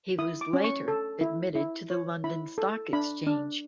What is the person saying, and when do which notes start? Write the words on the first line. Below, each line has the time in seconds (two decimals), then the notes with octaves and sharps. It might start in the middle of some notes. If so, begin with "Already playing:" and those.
He was later admitted to the London Stock Exchange.
0.18 E4 D#6
0.41 D6
0.53 C#4
0.64 C#6
0.88 A4
1.21 E4
1.55 E4
1.90 C#5
2.24 E4 B5
2.58 A4
2.93 D4 B5
3.27 D4